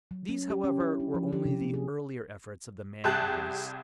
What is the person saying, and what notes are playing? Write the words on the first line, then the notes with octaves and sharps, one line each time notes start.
These, however, were only the earlier efforts of the man-eaters.
F#3
C#4
G4
C#4
E4
D4
F3
G4
C3
A#3
G#4
C2 G4 G#4 A5 F#6